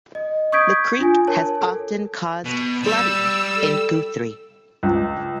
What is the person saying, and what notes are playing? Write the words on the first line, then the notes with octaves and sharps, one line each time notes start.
The creek has often caused flooding in Guthrie.
D#5
C#6 D#6 G6 G#6 B6 D7
D4 F4 G#5
A#4 C#5 A5
A4
B2
G3 E6
A4
C#2